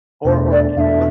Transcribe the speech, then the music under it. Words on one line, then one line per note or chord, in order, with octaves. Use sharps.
Or or, eh what
E2 B2 A3 D4 C5
D5
E2 B2 A3 D4 E5 F5